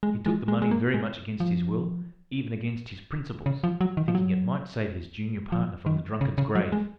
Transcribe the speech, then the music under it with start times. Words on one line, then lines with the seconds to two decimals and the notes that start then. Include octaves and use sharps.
He took the money very much against his will, even against his principles--thinking it might save his junior partner from the drunkard's grave.
0.03 G#3
0.26 G#3
0.48 G#3
0.62 G#3
0.71 A#3
0.94 G#3
1.40 F3
3.46 C#3
3.64 F3
3.81 F#3
3.97 D#3
4.08 F3
4.15 F#3
5.52 F3
5.86 D#3
6.21 C#3
6.38 C#3
6.55 F#3
6.72 G#3